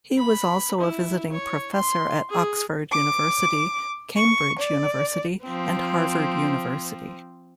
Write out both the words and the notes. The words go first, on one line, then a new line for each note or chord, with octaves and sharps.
He was also a visiting professor at Oxford University, Cambridge University and Harvard University.
B5
E4
C#5
C6
G#4
D6
C#6
D5
F3 C4